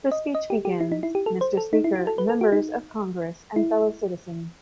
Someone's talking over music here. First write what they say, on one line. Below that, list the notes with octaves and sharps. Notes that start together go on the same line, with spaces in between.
The speech begins: Mr. Speaker, members of Congress and fellow citizens.
D#5
D#5
G4
G4
E4
D#4
E4
G4
A4
C5
A4
D#4
E4
F#4
A4
B4
A4
F#4
D#4
E4